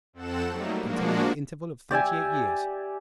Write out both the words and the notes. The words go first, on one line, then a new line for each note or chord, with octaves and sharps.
Containing The Interval Of Thirty-Eight Years.
F2 C4 A4 F#5 E7
F#3 G3 A3 A#3 D#4
F3 G#3 A#3 D4 F#4
G4 D5 E5 G#5